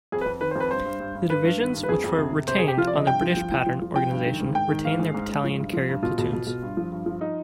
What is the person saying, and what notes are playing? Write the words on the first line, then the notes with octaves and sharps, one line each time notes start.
The divisions which were retained on the British-pattern organisation retained their battalion carrier platoons.
F2 G#4
B4
F2
D#3 B4
C5
F2 B4
G2 C5
G2
G2
G2
G2 B4
G2
D#3
G2
B4
F2 G#4
F2
C3
F2
C3 C5
G#4
C3
G4
F3 F4
D5
C3 D#5
G2 G5
F3
F3
F3
F3
F3
F3 G5
G2
D#3
G#2
G#2 G5
D#3
G#2 F5
G#2
G#2
G#2
F3
G2
F3
G2
B2 F4
B2
B2
B2
G2
F3
G2
F3
D#4